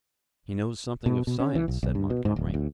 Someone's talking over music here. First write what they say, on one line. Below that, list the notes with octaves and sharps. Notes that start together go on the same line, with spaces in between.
"He knows something of science," said Montgomery.
B2
B2
C#4
E3
B1
B1
G2
B2
G#2
D1
D2